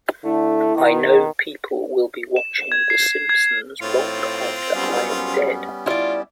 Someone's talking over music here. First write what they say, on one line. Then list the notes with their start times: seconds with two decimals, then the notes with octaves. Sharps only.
I know people will be watching "The Simpsons" long after I'm dead.
0.24 D3 A3 E4
0.75 B2 D#3
2.36 E7
2.72 G#6
2.90 C7
3.29 G#6
3.82 A2 C4 F4
4.74 F#2 G3 B3 C#4
5.86 E4 F4 D5